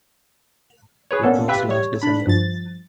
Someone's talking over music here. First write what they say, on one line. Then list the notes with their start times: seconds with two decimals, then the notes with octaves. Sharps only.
It was last December.
1.11 G#4 B4 C#5
1.23 A#3 B3 C#4 D4 A4
1.48 F4 G4 B4 E5
1.69 G3 C#5
2.02 D4 B5
2.27 G2 F3 A6